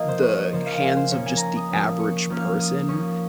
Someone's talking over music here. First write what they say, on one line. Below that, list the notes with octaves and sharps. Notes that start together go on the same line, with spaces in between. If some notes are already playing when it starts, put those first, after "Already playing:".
the hands of just the average person
Already playing: F3 A#3 D#5 F5
C5
C#5
C#5
C#3 F3 A#3 C5
F5
G#5
C5
F3 A#3 C#4 C#5
G#5
G#5 A#5
D#6
F3 A#3 C#4
C#6
F3 A#3 C#4 F6
D#6
F3 A#3 C#4 C#6